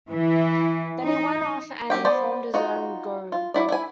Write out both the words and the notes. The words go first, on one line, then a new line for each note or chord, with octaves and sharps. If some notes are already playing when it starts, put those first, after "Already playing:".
Then he went off and formed his own grou.
E3
D#4
F#3 C#4 G4 G5
B3 C5 D5
D#4 F4 F#4
F4
F#3 E4 D5
E4 G#5